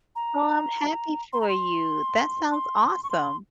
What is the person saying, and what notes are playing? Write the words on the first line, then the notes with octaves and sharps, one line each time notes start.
Oh, I'm happy for you. That sounds awesome.
A#5
C6
A#5
C6
C6
C#6
C6